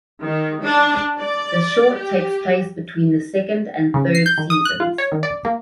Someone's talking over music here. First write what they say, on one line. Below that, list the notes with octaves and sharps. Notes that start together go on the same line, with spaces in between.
The short takes place between the second and third seasons.
D#3
D4
D5
G4
C#3
C7
G6
D#3
D#6
F#6
F4
C#5
D#3
D5
A#3